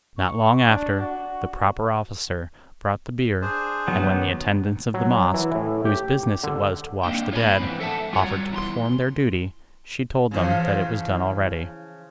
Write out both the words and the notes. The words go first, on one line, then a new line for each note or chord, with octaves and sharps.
Not long after, the proper officer brought the bier, and when the attendants of the mosque, whose business it was to wash the dead, offered to perform their duty, she told them that it was done already.
C#6
D4
F#4
D4 G#4 C5
D#3 F#3 B3
F#3
E3
A2
G4
D3
A#3 C4 D4 D#4 G5
F4 C#5 E5 G#5 B5
F2 G#2 E3 B3 C4
A4 E5 F#5 A5
G3 F4 F#4 C#5 F#5 A#5
E2 E3 A#5 C6
C#3 E3 F3